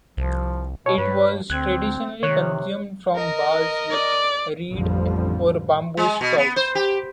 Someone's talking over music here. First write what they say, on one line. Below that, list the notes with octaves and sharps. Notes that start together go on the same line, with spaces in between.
It was traditionally consumed from jars with reed or bamboo straws.
C2 F3
B2 C#5
G2 B4
D2 C4 F#6 G#6
C3 D#3 C#5 F#6
A#4 D#5
D5
A1 F2 D3 F3 G3
G#3
B2
B3
C5
G4